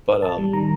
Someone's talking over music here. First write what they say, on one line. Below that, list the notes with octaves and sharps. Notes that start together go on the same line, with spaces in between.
but, um,
A1 A5
G3
D#3 A#5